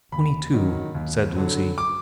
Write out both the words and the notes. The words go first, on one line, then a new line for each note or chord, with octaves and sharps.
'Twenty-two,' said Lucy.
D#2 B5
D#3 F#3
D#2
D3 F#3
D6